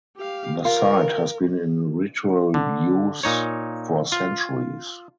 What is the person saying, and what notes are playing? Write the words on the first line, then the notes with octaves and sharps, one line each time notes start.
The site has been in ritual use for centuries.
G4 F5
F4 A#4
D3
A#2 D#4 C#5
F4